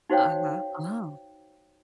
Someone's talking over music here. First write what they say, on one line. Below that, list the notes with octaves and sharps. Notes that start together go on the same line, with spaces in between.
Uh-huh, oh.
D#4 F#4 C5 C#5 F5 G5